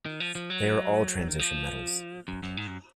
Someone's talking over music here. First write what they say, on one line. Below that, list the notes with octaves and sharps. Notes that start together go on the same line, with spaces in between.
They are all transition metals.
D#3
F3
F3
F#3
D#3
F3
F#2
F#2
G#2
F#2